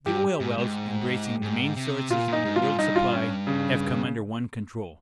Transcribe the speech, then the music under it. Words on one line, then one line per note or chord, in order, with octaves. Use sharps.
The oil-wells embracing the main sources of the world's supply have come under one control.
G2 G4
G#2
G#2
G#2
C3
A#2 F4
A#2 D#4
G#2
F4
G#2
G2 D#4
F4
C#4
C#3